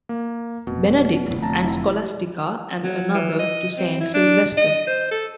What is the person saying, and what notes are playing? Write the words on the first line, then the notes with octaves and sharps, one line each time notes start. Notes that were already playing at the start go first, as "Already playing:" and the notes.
Benedict and Scholastica and another to Saint Sylvester.
A#3
F1 B2
F1 D3
A5 A#5
E4
F#3
E3
D#5
C4
E4
D4
D#5
C5
A4